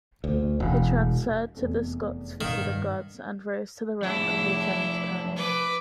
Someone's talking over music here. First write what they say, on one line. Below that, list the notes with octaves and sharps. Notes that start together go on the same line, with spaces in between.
He transferred to the Scots Fusilier Guards and rose to the rank of Lieutenant-Colonel.
D2
E1
F1 E2 A4
G2 D#3 F5 F#5
F3 A3 D4 E4 G#4
B4 D6